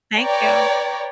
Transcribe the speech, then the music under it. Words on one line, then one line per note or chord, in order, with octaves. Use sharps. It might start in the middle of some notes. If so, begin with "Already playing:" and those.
Thank you.
B4 C#5 D5 G5 A#5